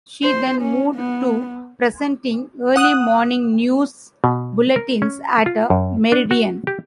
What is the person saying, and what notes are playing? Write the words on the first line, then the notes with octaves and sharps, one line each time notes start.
She then moved to presenting early morning news bulletins at Meridian.
C5
C#4
B3
F#5 D#6 F#6
B2
A#4
C#4
F4
F#2
D4
F#4
G4